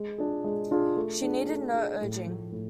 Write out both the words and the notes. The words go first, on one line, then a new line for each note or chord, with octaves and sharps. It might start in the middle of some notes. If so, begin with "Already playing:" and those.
She needed no urging.
Already playing: G#3
D4 F4 G#4
G#3
D4 F4 G#4
A3
D4 G#4
A3
D4 G#4
A2
F3 A3
A2